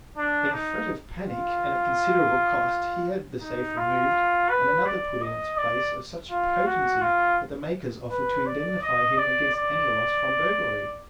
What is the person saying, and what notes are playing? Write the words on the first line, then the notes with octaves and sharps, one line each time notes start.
In a fret of panic and at considerable cost he had the safe removed and another put in its place of such potency that the makers offered to indemnify him against any loss from burglary.
D4
D#4
F4
D#4
F4
B4
D5
D#5
D5
F4
F#4
F4
B4
D5
D#5
D5
D5